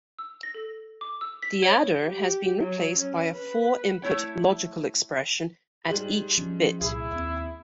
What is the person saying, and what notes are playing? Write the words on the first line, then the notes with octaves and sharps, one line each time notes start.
The adder has been replaced by a four input logical expression at each bit.
E6
A#6
A4
D6
E6
B6
C#5
G4
F#3
C#4
B4
A3 E4 C#5 G5
G#2 G3 F#7
F3 C#4
C2 A#2 E4 G#4
D#2 C4